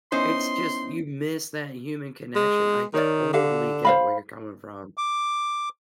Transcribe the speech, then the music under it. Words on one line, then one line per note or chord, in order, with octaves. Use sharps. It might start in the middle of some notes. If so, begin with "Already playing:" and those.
It's just you miss that human connection. I totally get where you're coming from.
B3 C#4 D#4 E4 C5 C6
G#3
D#3 A#4 C#5 D5
D3 G4 F5
C5 F5 B5
D6